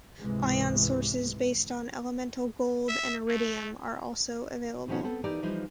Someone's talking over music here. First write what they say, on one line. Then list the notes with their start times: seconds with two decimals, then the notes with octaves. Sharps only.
Ion sources based on elemental gold and iridium are also available.
0.19 C#2 G#2 C3 E3 G#3
2.88 E5
3.28 A3
4.88 B2 D#3 F3 B3 C#4 F#4
5.03 B3 C4 A4
5.24 E3 D#4 G4 A#4 D5
5.43 E3 F3 G3 D#4 F4 C5